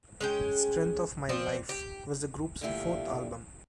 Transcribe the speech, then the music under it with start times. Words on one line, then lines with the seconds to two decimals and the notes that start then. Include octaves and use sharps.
"Strength of my Life" was the group's fourth album.
0.20 G#3 C#4 G5
1.29 F3 C4 D4
1.69 G4
2.61 A#2 D3 A3 E4 F4 G4